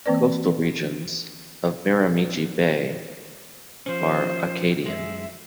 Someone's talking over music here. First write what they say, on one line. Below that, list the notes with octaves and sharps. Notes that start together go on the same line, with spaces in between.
Coastal regions of Miramichi Bay are Acadian.
E3 A#3 C4 B4 D5
F3 C#4 C5
F#2 G#3 E5